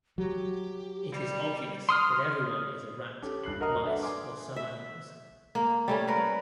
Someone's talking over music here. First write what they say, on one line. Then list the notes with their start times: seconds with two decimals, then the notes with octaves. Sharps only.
It is obvious that everyone is a rat, mice or some animals.
0.18 F#3 G4
1.12 G3
1.89 C6 D#6 F6
3.22 C#4 G4 A4
3.44 G2 F#6 C7 F#7
3.60 F#4 A#4 D#5 A#5 D#6 F6
3.84 D4 A4 B4 E5
4.03 G#5 C6 D6
4.56 E5
5.55 A#3
5.88 G3 A3 C#4
6.08 A#4 B4